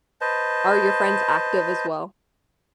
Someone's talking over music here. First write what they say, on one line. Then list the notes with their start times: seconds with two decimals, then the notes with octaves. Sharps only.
Are your friends active as well?
0.21 B4 C5 D#5 A5